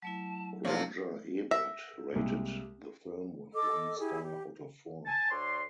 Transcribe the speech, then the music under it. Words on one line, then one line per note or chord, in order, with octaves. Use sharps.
Roger Ebert rated the film with one star out of four.
F#3 A3 E4 A5
C3 F3 A#3 D4 C#5 F5
E5 A#6
C2 G#3 A#3
A4 D#5 D6 E6
E4 G4 G#4
G4
G#5 A5
D2 D3 C#5 D5 C6